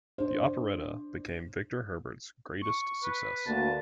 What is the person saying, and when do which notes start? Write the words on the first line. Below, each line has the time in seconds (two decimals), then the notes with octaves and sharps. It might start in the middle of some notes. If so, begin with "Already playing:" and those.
The operetta became Victor Herbert's greatest success.
0.18 D4 C5
2.62 C#6
3.03 B4
3.46 D2 A#3 F#4 A5